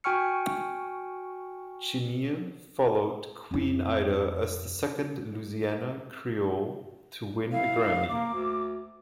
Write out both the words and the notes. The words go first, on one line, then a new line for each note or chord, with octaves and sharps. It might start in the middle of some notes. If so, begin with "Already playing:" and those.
Chenier followed Queen Ida as the second Louisiana Creole to win a Grammy.
F#4 G5 G#5 C#6 F6 C#7
F2 E4
E4 F5
A#3 D6
D2